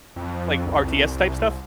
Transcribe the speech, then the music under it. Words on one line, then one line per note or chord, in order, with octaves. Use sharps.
like, RTS type stuff?
F2
C2